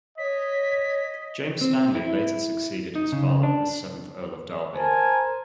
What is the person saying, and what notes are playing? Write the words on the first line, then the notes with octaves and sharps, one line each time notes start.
James Stanley later succeeded his father as seventh Earl of Derby.
C#5 D#5 B6
C4
E4
D#4
C#3
D4
A#4 C5 G#5 A5